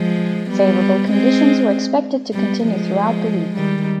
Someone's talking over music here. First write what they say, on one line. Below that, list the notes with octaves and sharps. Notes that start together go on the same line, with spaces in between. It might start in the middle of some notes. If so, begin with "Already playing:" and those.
Favorable conditions were expected to continue throughout the week.
Already playing: F3 G#3
G3 B3
G#3 C4
G3 B3
F3 G#3
D#3 G3